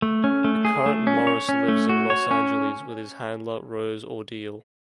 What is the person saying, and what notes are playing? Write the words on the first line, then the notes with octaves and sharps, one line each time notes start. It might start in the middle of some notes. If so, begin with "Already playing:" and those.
The current Morris lives in Los Angeles with his handler, Rose Ordile.
A3
C#4
A3
G#4
A3
C#4
C#5
C#4
A3
F#4
C#5
C#4